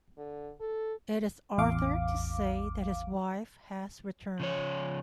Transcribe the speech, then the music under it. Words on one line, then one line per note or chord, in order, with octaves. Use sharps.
It is Arthur to say that his wife has returned.
D3
A4
A1 E2 F5 D6
C#3 F3 C#5